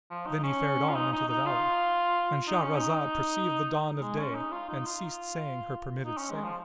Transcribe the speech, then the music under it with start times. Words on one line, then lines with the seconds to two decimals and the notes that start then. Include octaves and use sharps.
Then he fared on into the valley.--And Shahrazad perceived the dawn of day and ceased saying her permitted say.
0.11 F3
0.27 D#4
0.43 C#4
0.89 F4
0.95 D#4
1.12 D#4
1.29 D#4
1.46 F4
2.48 D#4
2.62 C#4
2.76 D#4
4.02 G#3
4.19 C#4
4.35 D#4
4.51 F4
4.69 D#4
4.86 F4
6.05 D#4
6.18 C#4
6.30 G#3
6.44 F3